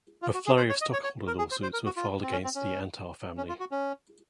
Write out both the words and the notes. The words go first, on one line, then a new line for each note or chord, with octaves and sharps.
A flurry of stockholder lawsuits were filed against the Antar family.
F4
F#4
G#4
C5
C#5
D#5
C#5
C#5
A#4
G#4
C5
C5
A#4
F#4
F4
C4
C#4
C4
C#4
C#4
F4
F#4
C#4